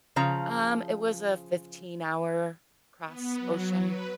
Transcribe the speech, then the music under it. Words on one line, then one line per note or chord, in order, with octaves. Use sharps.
Um, it was a fifteen-hour, cross ocean,
C#3 F3 A#5
B3
F#3
B4